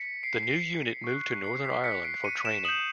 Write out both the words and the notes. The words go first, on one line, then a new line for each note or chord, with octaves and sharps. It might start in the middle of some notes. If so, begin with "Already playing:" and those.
The new unit moved to Northern Ireland for training.
Already playing: B6 C#7
C7 D7
C7
C#6 F#6
C7
B6
B6 C#7
C7 D7
C#7 D#7
D7 E7
D#6 G6 E7 F#7